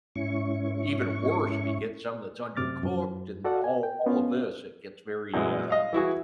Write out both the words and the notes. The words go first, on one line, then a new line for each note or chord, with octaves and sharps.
even worse, if you get something that's undercooked and all all of this, it gets very, uh,
G#2 C#4 E4 C#6
F#2 A2 C3 D6 F6 A6
F#2
F#4 A4 D5 F5 F#5
G#5
G5
B3 C#4 F4
F#2 A#2 E3 G#3
D#5 F5
E3 E4 F#4 G#4